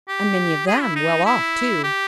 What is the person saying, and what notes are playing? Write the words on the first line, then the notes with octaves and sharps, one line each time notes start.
And many of them well off, too.
G4
G#4
E4
D#4
E4
G4